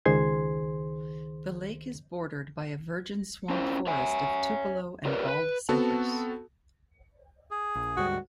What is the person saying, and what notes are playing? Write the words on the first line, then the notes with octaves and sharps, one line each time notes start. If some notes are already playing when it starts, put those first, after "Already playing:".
The lake is bordered by a virgin swamp forest of tupelo and bald cypress.
C#2 D#3 G#4 C5 C6 G#6
C#4 E4 F4 C5
C#5 E5 G#5
F4 G4 A#4 B4 C#5 D5
B4
B3 C4 F#4 A4 A5
G#4
A#1
D2 G#2 G3 F#4